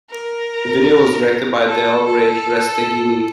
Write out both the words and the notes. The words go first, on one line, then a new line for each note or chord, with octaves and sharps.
The video was directed by Dale "Rage" Resteghini.
A#4
A4
A4